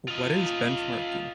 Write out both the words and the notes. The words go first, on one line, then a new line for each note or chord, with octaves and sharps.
What is Benchmarking?
F4 D#5